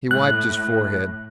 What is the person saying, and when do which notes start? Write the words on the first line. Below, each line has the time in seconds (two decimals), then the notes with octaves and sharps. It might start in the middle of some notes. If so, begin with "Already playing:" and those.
He wiped his forehead.
0.11 A2 F#6